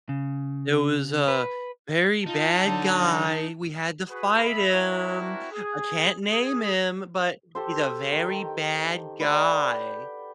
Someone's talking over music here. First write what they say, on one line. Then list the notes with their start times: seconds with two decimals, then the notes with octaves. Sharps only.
it was a very bad guy, we had to fight him, I can't name him, but he's a very bad guy,"
0.09 C#3
1.28 B4
2.26 D#4 F4 A5
2.66 D3 F#3
4.10 F#4 G#4 B4
4.43 G#3 E5 B5
4.72 C4 D4 E4 F#4 A#4
5.52 G#4
6.29 G#4
7.55 G4 A4 C5
8.12 D#3 G5
9.20 B4 D5 F#5 G5